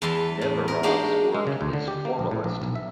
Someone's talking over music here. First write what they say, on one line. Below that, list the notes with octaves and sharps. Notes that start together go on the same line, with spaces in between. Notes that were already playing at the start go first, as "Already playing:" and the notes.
Nemerov's work is formalist.
E2 E3 B4 A5 C6
A2
A#4
G#3 A#3 D4 D#4 F#4 G4
G#3
C#3
D2
D3
G4
A#3
A#1
A2
A#1
B1
E5